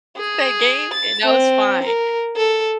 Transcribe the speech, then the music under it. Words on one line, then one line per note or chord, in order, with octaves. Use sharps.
That game, and that was fine.
G#4
A6
C4
A#4
A4